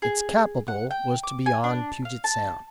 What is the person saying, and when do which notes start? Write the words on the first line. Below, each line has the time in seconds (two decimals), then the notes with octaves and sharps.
Its capital was to be on Puget Sound.
0.02 G#4
0.68 F#5
0.91 G5
1.23 D6
1.46 G#5
1.64 D4
2.05 F5
2.24 A5